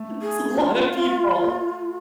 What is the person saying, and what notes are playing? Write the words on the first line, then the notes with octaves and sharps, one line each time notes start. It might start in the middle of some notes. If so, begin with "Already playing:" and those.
That's a lotta people.
Already playing: A3
G#4
F4